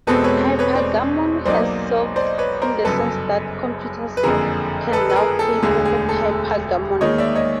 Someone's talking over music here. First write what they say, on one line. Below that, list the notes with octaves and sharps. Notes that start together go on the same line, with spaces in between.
Hypergammon has been 'solved', in the sense that computers can now play perfect hypergammon.
E1 E2 B2 G#3 C4 A4 B4
B4 C#5
B4 C#5
C5 D5
B1 B2 F#3 A#3 D#4 C5 D5
C5 D5
B4 C#5
A#4 C5
G1 F#2 C#3 A4 B4
B4
F#1 F2 D3 G#4 A#4
A4 B4
B4
G#4 A#4
A4
E1 D2 D3 G#4
G#4
A4
D#2 D#3 G#3 C#5 D#5
D5 E5
C#5 D#5